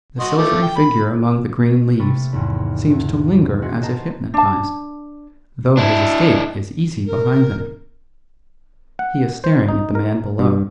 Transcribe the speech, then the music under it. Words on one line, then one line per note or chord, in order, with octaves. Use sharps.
The silvery figure among the green leaves seems to linger as if hypnotised, though his escape is easy behind him; he is staring at the man below.
F#4 D#5 C6
F3 A3 D6
G5
B5
C3 A3 A#3 B5 C#6 A6
G#1 E2 G#2
E2
F4 F#4 G#4 D#5
C5 D#5 A5 A#5
D4 A5
D4 E4
A#4
F#5
C5
D#4
A#4
G2